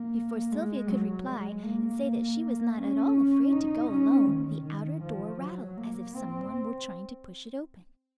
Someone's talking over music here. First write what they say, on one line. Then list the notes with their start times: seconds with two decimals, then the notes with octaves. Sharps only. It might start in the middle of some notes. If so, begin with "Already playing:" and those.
Before Sylvia could reply, and say that she was not at all afraid to go alone, the outer door rattled as if someone were trying to push it open.
Already playing: A#3
0.51 G#3
0.89 F#3
1.26 G#3
1.63 A#3
2.77 C#4
3.52 D#4
3.89 C#4
4.27 D#3
4.64 D#3
5.02 F3
5.39 F#3
5.77 A#3
6.15 C4